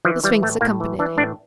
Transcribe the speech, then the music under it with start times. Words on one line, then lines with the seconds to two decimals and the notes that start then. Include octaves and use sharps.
The Sphinx accompanied him.
0.05 E3 F3
0.24 E3 G3
0.42 A2 A3
0.61 A2 A#3
0.80 E3
0.99 E3 D4
1.18 A2 D4